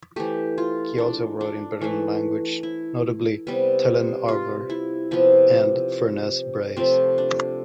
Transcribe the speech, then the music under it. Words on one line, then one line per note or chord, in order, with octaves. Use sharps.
He also wrote in the Breton language, notably "Telenn-Arvor" and "Furnez Breiz".
E3 A3 G4
F4
D4
D4
E3 A3
E4
C3 G3 B3
F4
E4
C3 F3 B3
C3 F3 A3 C4
D4